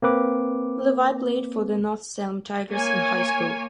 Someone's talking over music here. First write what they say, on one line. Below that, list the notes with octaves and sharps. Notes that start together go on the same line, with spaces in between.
Levy played for the North Salem Tigers in high school.
A#3 C4 B4 D6
A#3 C#5 G#5